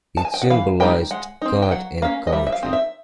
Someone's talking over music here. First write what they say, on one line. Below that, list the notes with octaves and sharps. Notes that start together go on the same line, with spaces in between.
It symbolized God and Country.
A5
G#5
G5
F#5
E3 F5
G3 A#3 D#4 G5
G#3 F#5
C4 D#4
G5
F#3 F#5
A#3 C#4 F5
D#5
G3 E5
E5
F5
C4 D#4
E5